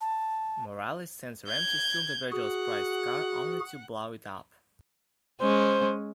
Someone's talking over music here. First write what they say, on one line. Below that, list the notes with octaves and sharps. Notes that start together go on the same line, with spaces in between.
Morales sends Ram to steal the Virgillo's prized car, only to blow it up.
A5
G6 G#6
F#4 G#4 F#5
G#3 C#4 C5